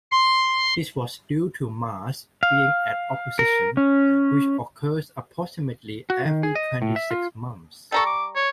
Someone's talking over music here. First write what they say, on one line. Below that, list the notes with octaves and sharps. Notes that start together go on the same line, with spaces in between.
This was due to Mars being at opposition, which occurs approximately every twenty-six months.
C6
F5
A#4
C#4
F#4
D#3
G#4
D#5
A2
E5
F4
G3 A4 A#5 C#6
D6
C#5